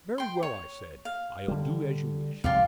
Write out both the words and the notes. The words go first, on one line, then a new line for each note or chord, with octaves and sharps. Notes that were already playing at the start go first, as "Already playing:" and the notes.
"Very well," I said; "I'll do as you wish."
G5 C6
C#5
F5
D3 G3
C2 F2 G#2 F4 G4 F5